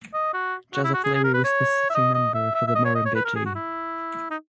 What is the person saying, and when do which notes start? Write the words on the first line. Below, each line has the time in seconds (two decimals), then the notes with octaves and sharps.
Joseph Leary was the sitting member for The Murrumbidgee.
0.14 D#5
0.33 F#4
0.74 F#4
0.84 E4
0.94 F#4
1.04 G#4
1.14 G#4
1.24 A#4
1.34 B4
1.44 C#5
1.90 E5
1.94 D#5
2.14 D#5
2.34 E5
2.55 E5
2.67 E5
2.75 D#5
2.85 C#5
2.95 D#5
3.05 C#5
3.15 B4
3.25 A#4
3.35 G#4
3.45 F#4
3.55 E4
4.30 D#4